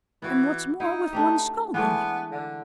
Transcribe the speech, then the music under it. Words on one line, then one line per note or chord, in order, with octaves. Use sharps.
And what's more,--with one scull gone.
E3 B3 F#4
D#4 E4
A3 D4 G4
E3 G#3 A3 B3
D3